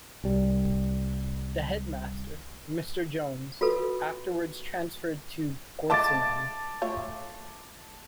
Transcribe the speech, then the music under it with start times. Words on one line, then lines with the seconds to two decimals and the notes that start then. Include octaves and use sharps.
The Headmaster, Mr. Jones, afterwards transferred to Gorseinon.
0.24 C2 G3
3.61 F4 F#4 A4 B4
5.90 G#3 A3 F4 A5 D6 A6
6.82 A3 F4 C#5